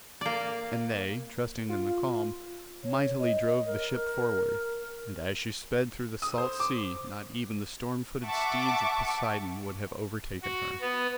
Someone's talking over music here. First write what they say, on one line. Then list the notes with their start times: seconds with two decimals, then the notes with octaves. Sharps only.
And they, trusting in the calm, mightily drove the ship forward; and as she sped through the salt sea, not even the storm-footed steeds of Poseidon would have overtaken her.
0.21 A#3 D5
1.69 F4
2.83 C#5
3.19 D#5
3.66 A#4
6.22 D#6
6.38 C5
6.60 D6
8.25 E5 F#5 A5 C#6 D6
10.42 F#4
10.81 B3